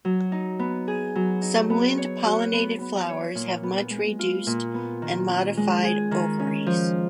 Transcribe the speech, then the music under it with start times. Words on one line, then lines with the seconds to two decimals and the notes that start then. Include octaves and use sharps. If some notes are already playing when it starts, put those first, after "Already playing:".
Some wind pollinated flowers have much reduced and modified ovaries.
0.05 F#3
0.32 D#4
0.59 B3
0.88 G#4
1.15 F#3
1.42 D#4
1.70 B3
1.97 C#5
2.26 F#4
2.53 B3
2.81 B3
3.09 C#5
3.35 A#2
3.63 B3
3.90 G#3
4.19 F4
4.47 A#2
4.74 B3
5.02 D#3
5.29 C#4
5.57 G#3
5.84 G#4
6.11 D#3
6.39 C#4
6.66 F3